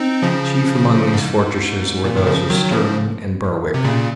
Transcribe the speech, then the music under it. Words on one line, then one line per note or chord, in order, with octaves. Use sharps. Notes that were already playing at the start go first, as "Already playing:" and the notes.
Chief among these fortresses were those of Stirling and Berwick.
Already playing: C4 D#4
C#3 F3
G#2
A#2
D#3
C#3 F3
D#3 F#3
C#3 F3
C3
A#2 C#3